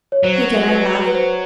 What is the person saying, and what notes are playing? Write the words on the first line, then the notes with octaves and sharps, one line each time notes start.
Again I laughed.
C#5
F#3 C5
B4
B4
C5